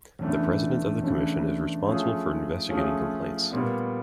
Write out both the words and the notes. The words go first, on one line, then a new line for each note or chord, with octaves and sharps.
The President of the Commission is responsible for investigating complaints.
E2 C#3 E3 A3 D4
E2 C#3 E3 A3 D4
F3 A3 C#4 F4 G#4
F3 A3 C#4 F4 G#4
A#2 G3 B3